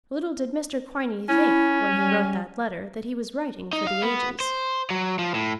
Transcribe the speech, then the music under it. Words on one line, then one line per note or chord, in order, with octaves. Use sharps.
Little did Mr. Quiney think, when he wrote that letter, that he was writing for the ages.
C#4 E4
G3
D#4
F5
B3
C5
F#3
F3
A2